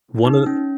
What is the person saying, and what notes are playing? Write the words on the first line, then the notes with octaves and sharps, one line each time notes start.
one of
D#4
C#4